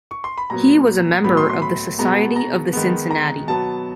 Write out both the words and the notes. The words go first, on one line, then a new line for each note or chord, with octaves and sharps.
He was a member of the Society of the Cincinnati.
C#6
C6
B5
A#2 F#3 B3 A#5
A2 F#3 B3 B5
C6
C6
B5
B2 G#3 B3 A#5
A#5
D#3 G#3 B3
A#5
B2 F#3 B3 A5